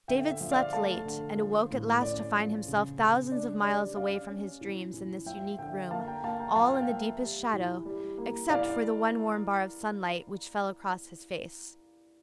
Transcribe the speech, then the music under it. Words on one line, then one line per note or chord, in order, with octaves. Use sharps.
David slept late, and awoke at last to find himself thousands of miles away from his dreams in this unique room, all in the deepest shadow, except for the one warm bar of sunlight which fell across his face.
D3 E5 G5
E5
F3
D5 F5
A3 F5 A5
D3
F3
A2
C#4 D5
F3
C#3
C#3
D4 D5
G3 D5
C#4 D5 F5
C#4
E3
E3
F3 E5 G5
D3 E5 G5
A#3 F5 A5
G5 A#5
A#3 F5 A5
G5 A#5
F3 F5 A5
G5
F5
A#3 E5
G3
E3
G3
A#3
E3 D5 F5